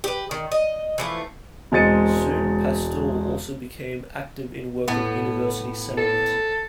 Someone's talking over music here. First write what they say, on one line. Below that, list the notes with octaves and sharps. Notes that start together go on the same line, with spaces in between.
Soon Pastor also became active in work of University Settlement.
G4 B4
D#3
D#5
E3 F3 A3
E1 G#3 C4 A6 C#7 D#7
A2 B3
A4